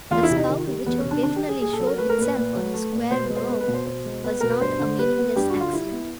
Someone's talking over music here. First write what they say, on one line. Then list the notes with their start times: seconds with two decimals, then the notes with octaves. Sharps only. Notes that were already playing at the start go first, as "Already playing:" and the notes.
The scowl which occasionally showed itself on his square brow was not a meaningless accident.
0.11 E2 F4
0.23 E4
0.30 C3
0.36 D#4
0.48 D#3
0.67 G3
0.86 E2 B3
0.98 C#4
1.04 C3
1.11 D4
1.23 D#3 D4
1.36 G4
1.42 G3
1.49 G#4
1.61 A#2 G#4
1.73 A4
1.79 F#3
1.87 A#4
1.98 A3 B4
2.09 A#4
2.18 A#2 B4
2.35 A#2
2.55 F#3
2.74 A3
2.92 A#2
3.11 B2 C5
3.24 B4
3.29 G#3
3.36 C5
3.48 B3 B4
3.60 B4
3.67 B2
3.74 C5
3.86 B2 C5
4.05 G#3
4.24 B3 B4
4.41 B2 A#4
4.50 B4
4.61 G2 C5
4.79 D3
4.98 G3 B4
5.17 B3
5.36 G2 G4
5.49 F#4
5.54 D3
5.60 F4
5.73 G3 E4
5.92 B3